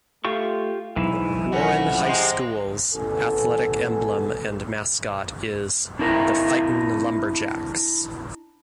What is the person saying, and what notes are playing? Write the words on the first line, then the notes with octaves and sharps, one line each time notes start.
Warren High School's athletic emblem and mascot is The Fightin' Lumberjacks.
A3 F4 G4 C#6
B1 G#2 E3 E4
F2 A3 C#4 F#4
C3 G#3 C4
A1 B3 A4 G#5
D4 E4 A#4 E5